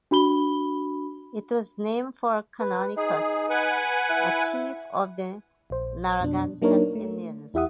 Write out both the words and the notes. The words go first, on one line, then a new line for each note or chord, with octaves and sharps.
It was named for Canonicus, a chief of the Narragansett Indians.
D4 F#4 B5 G7
B4
D#4 G#4
B4 F#5 G#5
E4
A#1 C5
F2 B2 D4
F#3 A#3 D4 D#4 A#4 C#5
A3
E2 E4 G4 E5 F#5 D#6